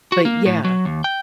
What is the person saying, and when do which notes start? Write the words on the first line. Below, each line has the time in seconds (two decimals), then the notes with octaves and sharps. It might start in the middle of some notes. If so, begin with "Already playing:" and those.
but yeah,
0.12 F#4
0.25 A#3
0.46 A2
0.65 F#3
0.85 D#2
1.04 G5